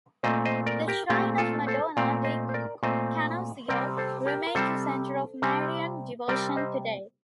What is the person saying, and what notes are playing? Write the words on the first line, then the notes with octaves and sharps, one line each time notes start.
The shrine of Madonna di Canoscio remains a center of Marian devotion today.
A#2 A3 C4 C5 D#5
C5 D#5
A#4 D5
G4 A#4
A#2 A3 C4 G4
F4 A4
A4 C5
A#2 A3 C4 D5 F5
C5 D#5
C5
A#4 D5
A#2 A3 C4 C5 D#5
C3 G3 C4 A#4 D5
A4 C5
G4 A#4
A#4
C3 G3 C4 A4 C5
C3 G3 C4
C3 G3 C4 A#4 D5
C5 D#5